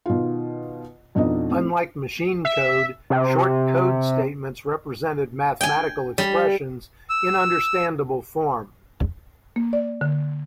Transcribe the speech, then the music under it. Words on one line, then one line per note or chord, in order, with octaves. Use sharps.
Unlike machine code, Short Code statements represented mathematical expressions in understandable form.
B2 D#3 F4
F2 B2 D4 D#4 D#5
A2 C4
E5
C3
G5 G#5
G3
E6
A#3
D5
D3